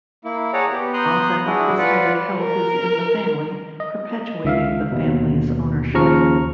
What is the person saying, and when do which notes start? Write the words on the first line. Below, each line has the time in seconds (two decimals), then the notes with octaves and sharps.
Often, this hired help is in the family, perpetuating the family's ownership.
0.24 A#3 E4
0.53 G#4 C#5 D5 F#5 A5 A#5
0.71 B3 G4
0.93 B3 A#5 C6 D#6 F#6 G6
1.46 D4 E4 F#4 G#4
1.78 F4 B4 D5 F#5
2.38 A#4
3.80 D#5
4.45 C#2 E5 F5
4.92 D#2 B2
5.94 D#2 C#3 F3 A#5 C#6 F6